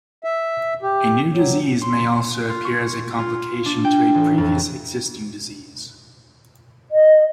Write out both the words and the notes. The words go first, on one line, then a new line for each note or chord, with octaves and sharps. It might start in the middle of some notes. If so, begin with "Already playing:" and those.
A new disease may also appear as a complication to a previous existing disease.
E5
G4
F#3
C6
F4
C#6
F4
D4
G5
A1
F2
D#5